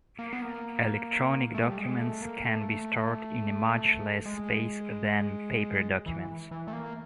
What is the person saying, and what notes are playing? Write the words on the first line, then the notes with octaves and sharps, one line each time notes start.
Electronic documents can be stored in a much less space than paper documents.
A#3
B3
A#3
A3
G3
G#3
A3
A#3
A3
G#3
E3
E3
A3
A#3